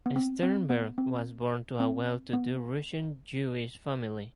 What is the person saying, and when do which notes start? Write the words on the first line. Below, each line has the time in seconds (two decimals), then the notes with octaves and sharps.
Sternberg was born to a well-to-do Russian-Jewish family.
0.06 B3
0.16 C4
0.43 C4
0.70 B3
0.98 C4
1.80 C4
2.33 B3